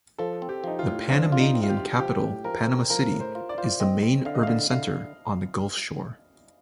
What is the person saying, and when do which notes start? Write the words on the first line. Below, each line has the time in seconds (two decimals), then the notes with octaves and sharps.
The Panamanian capital Panama City is the main urban centre on the gulf shore.
0.18 F3 A4
0.42 C4
0.49 G4
0.64 F3 D#4
0.79 F4
0.87 A2
1.09 F3 D4
1.32 F4
1.39 D#4
1.54 C4
1.63 F4
1.69 G4
1.77 F4
1.99 F3 G4
2.22 A2
2.44 F3 A#4
2.67 C4
2.90 F3 A#4
3.13 A2
3.20 C5
3.35 F4
3.49 D5
3.58 F4 C5
3.64 D5
3.80 C4 D#5
4.02 C4
4.25 D3 F5
4.35 D#5
4.43 F5
4.47 D3
4.71 D3 F5